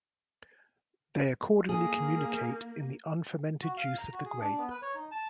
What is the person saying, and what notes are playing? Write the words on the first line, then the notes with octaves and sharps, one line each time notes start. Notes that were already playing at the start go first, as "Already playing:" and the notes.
They accordingly communicate in the unfermented juice of the grape.
A#3 G#4
F#4
F5
A#5
F#4
G#4
D4
B3
B4
C#5
D#4
A5